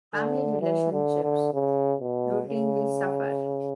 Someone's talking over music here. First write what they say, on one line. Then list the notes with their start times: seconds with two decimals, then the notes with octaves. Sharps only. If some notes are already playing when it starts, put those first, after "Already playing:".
Family relationships routinely suffer.
0.14 D3
0.61 E3
0.92 D3
1.23 D3
1.54 C#3
2.01 B2
2.48 C#3